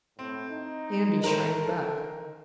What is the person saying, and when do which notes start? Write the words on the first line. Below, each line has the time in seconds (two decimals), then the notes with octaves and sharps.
Andy shrank back.
0.19 A2 C4
0.51 D#4
1.24 A2 A#4 C5
1.64 A4
1.95 D#3